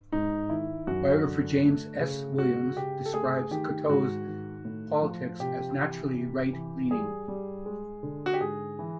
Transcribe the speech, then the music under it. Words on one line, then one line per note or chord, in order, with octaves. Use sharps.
Biographer James S. Williams describes Cocteau's politics as naturally Right-leaning.
G#2 D#4
D#3 E4
F#2 F#4
D3
A3
C#3
G#3 F#4
C#3 G4
A4
A3 G#4
D#3 G4
G#2 F#4
D#3
A2
F3
C3 G4
E3
C3
E3
G3 G#4
G3
G#3
D3
F#4
G4
G#2 G#4
E3